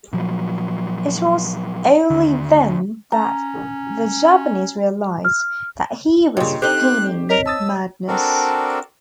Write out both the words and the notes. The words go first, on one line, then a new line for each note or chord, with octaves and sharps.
It was only then that the Japanese realized that he was feigning madness.
A#2 F3 F#3
D#2 D3
C#4 A#5
F6
G2 A#2 C#3 D#5 C6
C4 D#4 G4 A4 C5 F#6 G7
A#4 C#5 D#5 B6
A5 D#6 E6 A6
C4 D4 F#4 A4 A#4 D5